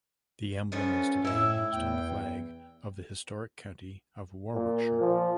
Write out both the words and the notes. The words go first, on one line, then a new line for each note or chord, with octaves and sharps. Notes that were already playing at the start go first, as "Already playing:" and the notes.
The emblem is today used on the flag of the historic county of Warwickshire.
F3 A3 B3 C#4
A2 E4 E5
E2 G5
A#2
F3